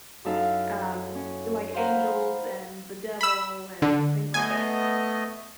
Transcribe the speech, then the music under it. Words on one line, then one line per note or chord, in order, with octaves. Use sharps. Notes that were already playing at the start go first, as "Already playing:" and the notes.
um, like angels and the devil and things like that.
F#2 D#4 E4 A4 F5
C#4
C5 F5 F#5 A#5 B5
B5 E6
D3
A3 B3 D#5 G#5